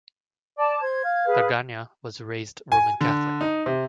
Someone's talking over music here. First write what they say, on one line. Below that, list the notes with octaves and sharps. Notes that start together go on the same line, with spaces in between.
Draganja was raised Roman Catholic.
D5 A5 D6
C5 G#6
F5
G#4 B4
G#5
D3
D#4
C3